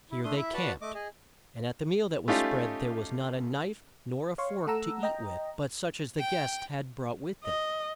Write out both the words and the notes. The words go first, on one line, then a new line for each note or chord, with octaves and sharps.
Here they camped, and at the meal that was spread there was not a knife nor a fork to eat with but such as the guests had brought with them.
E4
A3 D4 C6 D#6
E4 E5
F#4 B4 D5 F#5 A5 B5
A3 D#5 D6
G#4 D#5
A3 C#4 D#4 F4 G4
C#5 F5 C6 C#6
A3 A4 F#5 A#5 E6
D#5 G5 A#5
G5
D#5